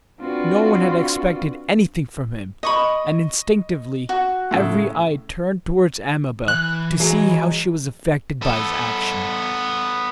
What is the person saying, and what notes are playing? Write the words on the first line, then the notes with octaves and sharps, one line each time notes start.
No one had expected anything from him, and instinctively every eye turned towards Amabel to see how she was affected by his action.
C4 D4 F4 F#4 B4
D#5 B5 C#6 D#6
F#4
A2 C#3
E3 F#6
F#3 G#3
B3 A4